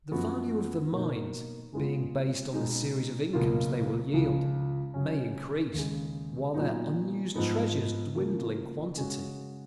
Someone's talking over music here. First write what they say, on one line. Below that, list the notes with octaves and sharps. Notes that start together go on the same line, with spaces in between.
The value of the mines, being based on the series of incomes they will yield, may increase while their unused treasures dwindle in quantity.
F#2 F3 B3 F#4
B2 A#3 D#4
C#3 G#3 B3 F4
B2 G#3 D#4
C#2 B2 F#3 A#3 F4
C#2 C#3 F3
C#3 F#3 C#4
D#2 C#3 G#3
A#2 F#3 B3 D#4
G#2 F3 B3 D#4
C#3 F3 A#3
C#3 G#3 C#4 F#4